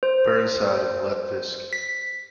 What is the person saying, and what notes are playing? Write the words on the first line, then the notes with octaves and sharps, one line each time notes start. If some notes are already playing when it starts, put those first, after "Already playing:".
Burnside and Lutefisk.
C5
B6